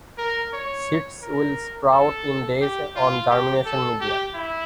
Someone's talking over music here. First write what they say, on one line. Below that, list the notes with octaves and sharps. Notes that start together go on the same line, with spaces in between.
Seeds will sprout in days on germination media.
A#4
C#5
A#4
A4
G4
F4
G4
A4
G4
E4